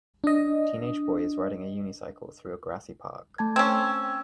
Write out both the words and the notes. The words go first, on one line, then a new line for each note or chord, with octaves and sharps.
Teenage boy is riding a unicycle through a grassy park.
D4 D#5
A3 A5 G#6
C4 C#4 G5 E6 G#6